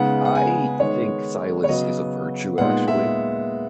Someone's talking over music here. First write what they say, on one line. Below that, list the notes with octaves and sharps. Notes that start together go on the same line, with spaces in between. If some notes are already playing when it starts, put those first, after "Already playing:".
I think silence is a virtue, actually,
Already playing: C#3 G#3 B3 D#4 F#5
F#5
G#5
D#3 G#3 B3 C#5
C#5
C#3 F#3 B3 D#5
A#2 G#3 B3 D#4 F#5
E5